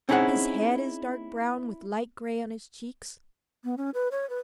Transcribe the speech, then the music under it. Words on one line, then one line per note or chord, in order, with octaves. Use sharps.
His head is dark brown with light gray on his cheeks.
C4 C#4 D#4 E4 G#4 F#5
B3
C#4
B4
C#5
B4